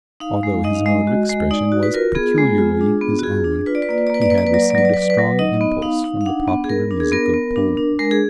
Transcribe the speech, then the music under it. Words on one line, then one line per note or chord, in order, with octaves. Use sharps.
Although his mode of expression was peculiarly his own, he had received a strong impulse from the popular music of Poland.
D#4 F5
G#3
D#4 D#5
F5
G#3 D#5
F#4
G#3
D#4 D5
F#4
B4
F4 A#4
B3 G#4
G#3
F4
D4
B3
F#4
F4 G#4
D4
F4 B4
D5
B4
A#3 D5
B4
D5
A#3 B4
D5
A#3 B4
D5
B4
F#3 D5
B4
D5
F#3 B4
D5
F#3 B4
D5
B4
F#3
D#4 D#5
B3
D#4 F5
D#4
F5
D4 F#5
B3
G#4
B3 A#4
D4
G#4
B3 A#4
B3
D4
D4
G#3 A#4
G#4